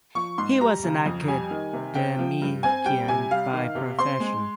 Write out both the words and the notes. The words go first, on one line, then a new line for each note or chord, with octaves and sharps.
He was an academician by profession.
F3 C#6
G#2 C6
G3 A#5
C#3
F2
G3 G#5
D#3
C3
C4 G5
F3
G2
C4 G#5
G3 G5
C3 G#5
G3 F5
D#3
C3
C4 C6
G#3